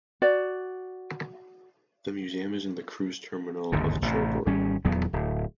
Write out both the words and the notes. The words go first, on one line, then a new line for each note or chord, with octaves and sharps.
The museum is in the cruise terminal of Cherbourg.
F#4 D5
G1 D#2 G#2 D3
A1 C3
G#1 G3 C#4
D#1 E2 F#3 B3
D1